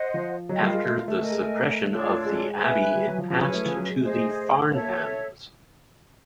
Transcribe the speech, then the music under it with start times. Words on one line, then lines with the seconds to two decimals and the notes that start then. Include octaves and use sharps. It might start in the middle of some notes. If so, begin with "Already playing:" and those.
After the suppression of the abbey it passed to the Farnhams.
Already playing: C5 D#5 F#5
0.14 F3
0.49 F#3 F4 A#4 D#5
0.61 G3
0.72 G#3
0.85 A3
1.08 A3
1.19 A3 A#4 D#5 G#5
1.31 G#3
1.43 A3
1.90 D4 F4 A4 C#5
2.25 G#3
2.60 B4 E5 G#5
2.95 G3
3.07 F#3
3.18 F3
3.30 F3 C#4 E4 G#4 B4
3.42 F#3
3.54 A3
3.66 F3
3.77 F#3
3.89 G#3
4.00 A3 G#4 C5 D#5
4.71 A#3 A4 C#5 E5
4.83 A#3